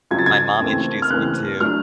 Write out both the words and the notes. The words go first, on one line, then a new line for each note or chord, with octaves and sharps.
my mom introduced me to.
F2 C#3 F#3 G#6
A6
G#6
D#2 C#3 E3 A3 C4
F6
D#2 C#3 E3 A3 C4 F#6
A2 F#3 A3 D4 F6